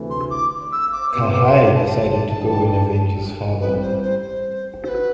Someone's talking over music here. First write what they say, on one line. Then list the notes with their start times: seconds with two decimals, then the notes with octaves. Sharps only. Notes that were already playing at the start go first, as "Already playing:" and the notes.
Kaha'i decided to go and avenge his father.
Already playing: D2 C3 E3 A3 E4
0.10 C6
0.30 D6
0.72 E6
0.92 D6
1.13 C2 C3 G3 B3 D6
1.21 C6
1.29 D6
1.43 C6
1.75 A5
2.36 G2 E3 G3 D4 G4
3.60 A1 A2 G3 C4 B4
3.80 C5
4.01 C5
4.22 C5
4.83 F#4 C5
4.88 B4